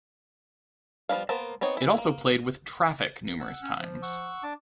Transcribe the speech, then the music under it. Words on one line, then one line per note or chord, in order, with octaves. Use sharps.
It also played with Traffic numerous times.
F3 G3 B3 D4 F5
A#3 B3 A#4 C5 A5
B3 C4 D#4 C#5
E3 E4
A#3
F#5 E6
C#4
F3
F#5 C#6 E6
D4 A5 D6